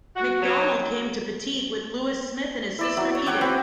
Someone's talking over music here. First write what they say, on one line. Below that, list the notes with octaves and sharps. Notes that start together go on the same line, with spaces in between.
MacDonald came to Petite with Lewis Smith and his sister Edith.
F#4
F#3
E4 D5 E6
F#3 E5
C#5
C#5 F#5 G5 D6
C4 F#4 B4